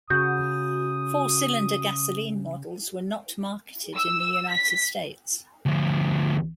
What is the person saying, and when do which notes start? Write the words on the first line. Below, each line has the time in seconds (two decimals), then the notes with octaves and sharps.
Four-cylinder gasoline models were not marketed in the United States.
0.10 C#3 F#4 D#6 G6
3.95 E6
4.50 B6
5.66 D2 F3